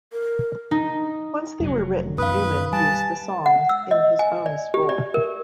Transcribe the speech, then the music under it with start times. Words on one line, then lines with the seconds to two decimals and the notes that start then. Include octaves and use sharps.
Once they were written, Newman used the songs in his own score.
0.13 A#4
0.71 D#4
1.60 F1 A#2 F#3
2.18 F#2 B2 D#3 B4 F5 D#6
2.73 G3 G#5 A5 A6
3.46 F#5
3.69 E6
3.91 D#5
4.19 G#5
4.46 D5
4.74 G4
4.89 D5
5.14 A#4